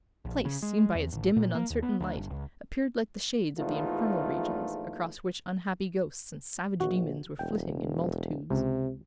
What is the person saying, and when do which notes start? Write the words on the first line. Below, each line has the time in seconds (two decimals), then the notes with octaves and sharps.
The place, seen by its dim and uncertain light, appeared like the shades of the infernal regions, across which unhappy ghosts and savage demons were flitting in multitudes.
0.25 A#1
0.45 C#3
0.62 G#3
0.95 E2
1.12 A1
1.36 A#2
1.55 A#3
1.70 D#2
1.82 B3
2.00 D2
2.16 G1
2.30 C#2
3.57 A#1 E2 A3 D#4 F4
6.80 A#1 F#4
7.39 E1 G5
8.50 C#2 C3